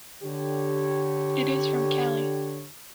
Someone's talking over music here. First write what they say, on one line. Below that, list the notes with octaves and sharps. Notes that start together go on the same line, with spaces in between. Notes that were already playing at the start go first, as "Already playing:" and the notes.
It is from Cali.
D3 G4 C#5